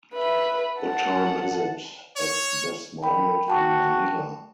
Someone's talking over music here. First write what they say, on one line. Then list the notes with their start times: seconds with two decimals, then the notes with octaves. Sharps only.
What time is it at this moment in Manila?
0.14 B4 E5
0.81 F#5 A5
2.16 C#5
3.02 A#4 G5 B5
3.48 F#4 G5 A5 D6